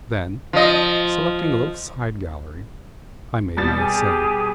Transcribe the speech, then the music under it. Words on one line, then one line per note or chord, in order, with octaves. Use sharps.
Then, selecting a little side gallery, I made my essay.
F3 D#5
B2 G3 A6
G4 G#4 G#5